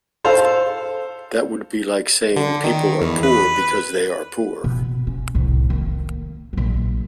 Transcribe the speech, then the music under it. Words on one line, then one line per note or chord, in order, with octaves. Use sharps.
That would be like saying, "People are poor because they are poor".
A4 C5 F5
D3
D#3
E2
B4
B2
C#4
C2 A2
D#3 A#3
A#1 F#3